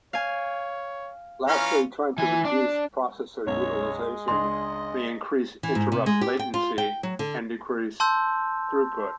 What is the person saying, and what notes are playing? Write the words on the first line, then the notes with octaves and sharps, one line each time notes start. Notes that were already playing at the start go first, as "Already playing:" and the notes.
Lastly, trying to reduce processor utilization may increase interrupt latency and decrease throughput.
C#5 F5 G#5
E3 C#4 F4 A#5
E3 G#5
D4
B1 F#2 G#3 C#5
C#2 D4 D#5 G#5 C6
E3
G#2
C3
G#3
G4
G5
F4
G5
F#3
D3
A5 C6 E6 G6